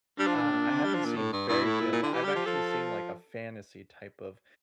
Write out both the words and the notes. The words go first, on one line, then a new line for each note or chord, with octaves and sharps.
Uh, I haven't seen Fairytale, but I've actually seen, like, a fantasy type of
G3 D4
F3
E3
D3
A#2
C3
G3
F3
A#2
A2
G2
G2 E4
A2
A#2
A#2
D3
E3 G4
G3
F3
F3 A4